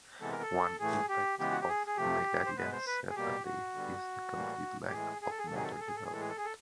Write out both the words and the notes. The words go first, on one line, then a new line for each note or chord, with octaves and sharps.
One impact of megalencephaly is the complete lack of motor development.
C3 E3 G#3 B3 A4
A#4
A4
A2 E3 A3 G#4
G4
C#3 E3 G#3 B3 G4
F#4
G4
G#4
G#4
C3 F3 A3 G4
C5
B2 G#3 B3 B4
C5
B4
G#4
B2 G3 A#3 G4
F#4
D3 G3 B3
A2 E3 G3 A#3
G4
A2 E3 G#3 G#4
G#4
A4
G#4
A4
C3 D#3 F#3 G#4
A4
G#4
A4
G#4
A4
G#4
A2 E3 G#3 A4
G#4
A4
G#4
A4